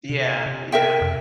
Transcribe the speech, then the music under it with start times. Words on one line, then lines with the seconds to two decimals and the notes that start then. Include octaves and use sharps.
Yeah, yeah.
0.09 C3
0.46 C3
0.72 A#4 E5 G5
1.01 F2